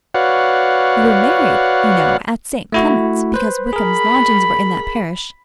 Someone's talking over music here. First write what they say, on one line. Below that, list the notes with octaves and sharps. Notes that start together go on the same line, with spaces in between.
We were married, you know, at St. Clement's, because Wickham's lodgings were in that parish.
F#4 B4 C#5 D5 F5 F#5
A3 E4 F#4
B4 C5
G#4 A#4 B5